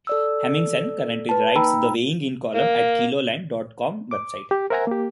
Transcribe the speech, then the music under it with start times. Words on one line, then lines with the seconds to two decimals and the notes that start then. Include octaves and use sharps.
Hemmingsen currently writes the "Weighing In" column at the Keloland dot com website.
0.07 A4 D5 E6
1.29 B4 A5
1.56 A#3 D#4 G5 A#5 B5 E6
2.54 A#3
4.11 D6
4.51 G4
4.70 A#4 C5 E5 F#5 G#5 A#5
4.87 A#3 G4